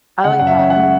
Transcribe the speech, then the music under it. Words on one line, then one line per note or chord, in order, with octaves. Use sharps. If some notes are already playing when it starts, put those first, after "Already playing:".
Oh, yeah.
C#3 F#5
F#2 F#5
E5
C#4
F#5
G#3